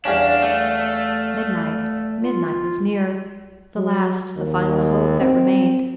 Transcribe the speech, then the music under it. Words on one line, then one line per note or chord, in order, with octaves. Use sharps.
Midnight--midnight was near, the last, the final hope that remained.
E2 G3 C#4 D4 F5
A3
F4
F#3
D#2
C4